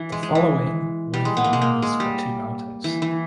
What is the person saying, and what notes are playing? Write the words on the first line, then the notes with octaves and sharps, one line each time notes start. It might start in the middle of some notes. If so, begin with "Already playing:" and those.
The following were the members for Two Mountains.
Already playing: E3
G#3
G#3
E3
G3
G#3
B3
A#3
G#3
A#3
G#3
G3
E3
E3